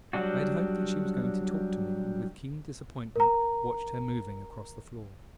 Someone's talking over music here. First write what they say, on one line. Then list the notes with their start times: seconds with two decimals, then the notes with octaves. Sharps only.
I had hoped that she was going to talk to me, and with keen disappointment watched her moving across the floor.
0.13 F#3 G3 D4 F#4
3.16 A#4 A#5